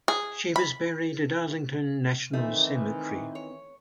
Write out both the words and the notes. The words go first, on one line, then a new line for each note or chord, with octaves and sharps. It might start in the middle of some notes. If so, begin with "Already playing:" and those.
She was buried at Arlington National Cemetery.
G#4
B5
D#3 E3 A3 C4 D#4
C#5